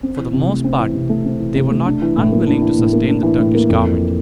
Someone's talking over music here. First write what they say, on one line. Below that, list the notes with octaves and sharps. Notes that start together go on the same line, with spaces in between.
For the most part, they were not unwilling to sustain the Turkish Government.
C4
E3
C3
A3
C4
E3
C3
A3
C4
E3
C3
A3
D4
E3
A2
A#3
D4
E3
A2
A#3
D4
E3
A2
A#3
F2
E3